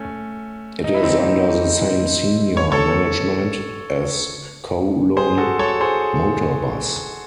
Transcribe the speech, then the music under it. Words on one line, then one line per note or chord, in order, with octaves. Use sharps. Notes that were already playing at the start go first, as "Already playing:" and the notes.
It is under the same senior management as Kowloon Motor Bus.
Already playing: A3 C#4
D#4
E4
C4 D#4
C#5
A4 C#5
G#4 C5
F#4 A4
A4 C#5
G#4 C5